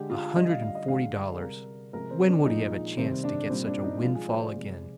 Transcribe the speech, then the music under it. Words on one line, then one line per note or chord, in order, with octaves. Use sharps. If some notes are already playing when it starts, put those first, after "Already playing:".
A hundred and forty dollars; When would he have a chance to get such a windfall again?
Already playing: D3 G#3 G4
F4
D3 G3 D#5
F5
F5
D#5
D3 G#3 F5
D5
G#4
C3 G3 A#4
C3 F3 G#3 A#4
C4
D4
A#2 F3 G#3 D#4
C3 D#3 G3 C4
D4
A#2 G3 C4
D4
D#4
C3 F3 G#3 F4
G#4
C5
D5
C3 F3 G#3